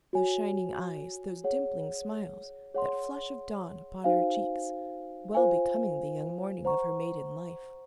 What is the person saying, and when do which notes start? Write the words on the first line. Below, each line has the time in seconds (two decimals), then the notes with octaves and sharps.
Those shining eyes, those dimpling smiles, that flush of dawn upon her cheeks, well becoming the young morning of her maiden life.
0.13 F#4 C#5 G#5
1.44 G#4 C#5 F#5
2.74 G#4 C#5 F#5 C6
4.04 D#4 F#4 C5 F5 G#5
5.35 F4 C5 F5 G#5
6.65 C5 F#5 A#5 C#6